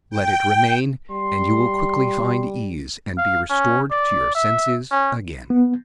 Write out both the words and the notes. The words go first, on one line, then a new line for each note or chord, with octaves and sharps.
Let it remain and you will quickly find ease and be restored to your senses again.
G5
G3 C6
F5
C#4
D5
E5
C#4
B3